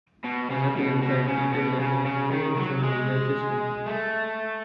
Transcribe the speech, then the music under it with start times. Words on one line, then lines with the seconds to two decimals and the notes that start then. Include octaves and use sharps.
Honor killings are treated leniently in some legal systems.
0.24 B2
0.50 C#3
0.76 B2
1.02 B2
1.28 C#3
1.54 B2
1.80 C#3
2.05 C#3
2.31 D#3
2.57 F#3
2.83 G#3
3.86 A3